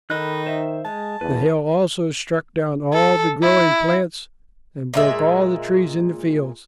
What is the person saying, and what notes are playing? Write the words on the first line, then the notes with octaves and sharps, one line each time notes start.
The hail also struck down all the growing plants and broke all the trees in the fields.
D#3 D#4 A4 B5 F#6
C5 E5
G#3 A5
E2 B4
A4
E4
A#2 G#3 E5